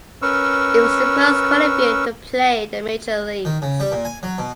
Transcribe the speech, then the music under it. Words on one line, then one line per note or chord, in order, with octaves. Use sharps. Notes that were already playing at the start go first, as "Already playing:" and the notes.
He was the first Colombian to play in the Major Leagues.
C#4 A#4 B4 C#6 E6
D#3
C#3
G3
A#2
G#5
F#3
B2